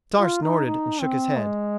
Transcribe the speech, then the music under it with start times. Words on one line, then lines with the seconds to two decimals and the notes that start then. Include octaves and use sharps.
Star snorted and shook his head.
0.18 F4
0.42 D#4
0.65 D#4
1.02 C4
1.38 G#3